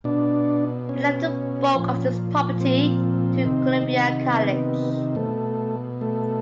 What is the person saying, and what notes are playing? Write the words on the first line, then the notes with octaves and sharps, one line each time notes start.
He left the bulk of his property to Columbia College.
B2 D4
C#4
A#2 F3
C4
C3 D#3
B3
B2 A3
A3